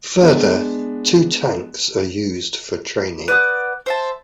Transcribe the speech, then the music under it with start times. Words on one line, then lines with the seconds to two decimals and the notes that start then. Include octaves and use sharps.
Further two tanks are used for training.
0.21 G#3 B3 D4
3.28 B4 D5 F#5 D#6
3.86 C5 E5 A5